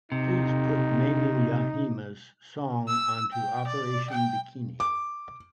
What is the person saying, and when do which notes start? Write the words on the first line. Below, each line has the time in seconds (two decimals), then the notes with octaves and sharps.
Please put maimi yajima's song onto Operación Bikini.
0.12 C3 D#4
2.88 E6
3.32 G5
3.67 D5
4.10 G5
4.80 D6